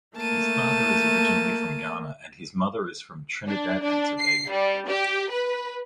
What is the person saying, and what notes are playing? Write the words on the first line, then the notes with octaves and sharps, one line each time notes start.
His father is originally from Ghana and his mother is from Trinidad and Tobago.
A3 A#3 A5 D#7
D4
D4
C7
G3
G4
B4